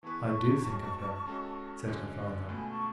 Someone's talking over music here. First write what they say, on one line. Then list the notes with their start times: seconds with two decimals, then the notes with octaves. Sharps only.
"I do think of her," said her father.
0.03 E3 B3 E4 G#4 B4 A5 C#6
0.65 C#3 G#3 C#4 F#4
1.26 C#3 G#3 C#4 F#4 A4
1.88 F#2 D3 G#3 C#4
2.48 C#2 B2 A3 G#5 B5
2.69 A5 C#6